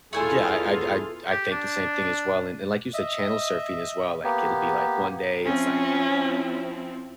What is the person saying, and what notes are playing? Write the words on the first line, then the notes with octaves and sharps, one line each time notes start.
Yeah, I'd I'd I'd think the same thing as well, and like you said, channel surfing as well, like, it'll be, like, one day it's, like,
E2 A3 E4 F4 G#4 A4 G#5
G4
D4
D#5 E5
A#3 B3 G4
F3 C4 C#4 E4